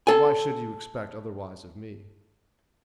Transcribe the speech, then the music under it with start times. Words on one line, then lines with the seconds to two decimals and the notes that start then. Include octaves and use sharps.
But why should you expect otherwise of me?
0.07 A4 G#5